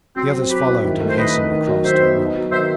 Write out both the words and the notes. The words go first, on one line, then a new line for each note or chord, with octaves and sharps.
The others followed, and hastened across to the rock.
F#3 C4
C4
F#3 G4 B4
E4
D#3
A3
C5
D#3 B4 D#5
D#4
D#3
F#3
D#3 C5 E5
B3
D#4
F#3
D#3 C5 E5